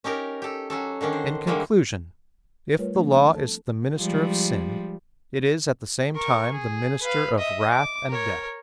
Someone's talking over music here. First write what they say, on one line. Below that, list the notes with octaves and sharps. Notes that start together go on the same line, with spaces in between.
In conclusion, if the Law is the minister of sin, it is at the same time the minister of wrath and death.
C#4 D#4 G4 A#4
G4 A4
F#3 C#4 A4
D3 D#3 C#4 D4
C5
D3 D#3 G3 G#3 A#3 E4
G3 A3 F4 A#4 B4 C#5
F3 A3 A#3 C4 D4
A4 A5
F3 G3 G#3
A#4 C#6
G#4
B4 F5
D#5 E5
D6
A#4 C#5